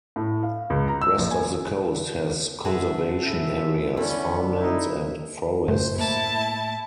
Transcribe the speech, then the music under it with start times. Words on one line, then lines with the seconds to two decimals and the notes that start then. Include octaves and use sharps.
Rest of the coast has conservation areas, farmlands and forests.
0.16 A2
0.43 F5
0.70 C#2
0.88 A#5
1.02 E6
1.18 A#1
1.31 G#5
2.65 F#4 G#4 A4 E5
3.26 E4 E5
3.97 D3 B3 C#4
4.60 D#4 E4
5.68 F#2 A2 C5
5.98 A#3 E4 A5